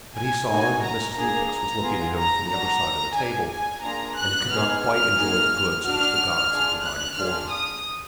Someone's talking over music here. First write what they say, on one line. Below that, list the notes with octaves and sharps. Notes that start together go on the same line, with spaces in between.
But he saw that Mrs. Lupex was looking at him from the other side of the table, and he could not quite enjoy the goods which the gods had provided for him.
G#5
A#3 D#4 F#4 G#5
A#5
A#3 D4 G#4 A#5
B3 F4 G#4
A#5
D4 F#4 A#5
D4 G#4 G#5
G#5
A#3 D4 F4 G#4 A#5
F#6
B3 D#4 G#4 F6
F6
A#3 D#4 G#4
D4 F#4 F6
D4 F4 G#4
F#6
D4 F4 G#4 F6
D#6